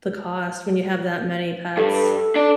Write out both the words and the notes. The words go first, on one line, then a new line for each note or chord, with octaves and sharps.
the cost when you have that many pets.
G2 A4
D4 D5